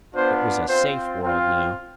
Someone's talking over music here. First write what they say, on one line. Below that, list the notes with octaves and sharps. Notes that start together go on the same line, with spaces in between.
It was a safe world now.
B3 D4 F4 C5
C4 F4 C5
C4 F4